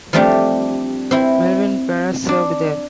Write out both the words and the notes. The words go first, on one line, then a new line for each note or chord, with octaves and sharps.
Melvyn Perez served there.
F3 G3 A3 C4 D4 G4
C4 E4
D4